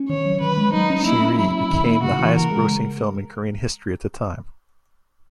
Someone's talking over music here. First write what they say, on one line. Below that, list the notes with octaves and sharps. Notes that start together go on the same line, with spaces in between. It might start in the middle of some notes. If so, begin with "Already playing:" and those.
"Shiri" became the highest-grossing film in Korean history at the time.
Already playing: C#4
D#3 C#5
F#3
D#3 B4
G#3
F#3 D#4
C#4
A#3 E4
C#4
F#3 E4
C#4
D#3
A#3
C#3 F#4
E3
C#3 A#4
G#3